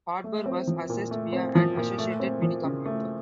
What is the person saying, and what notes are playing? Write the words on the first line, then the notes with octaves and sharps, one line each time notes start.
Hardware was accessed via an associated minicomputer.
A3
C4
F3
A#2
A3
C4
F3
A#2
A3
C4
F3
C#3
A3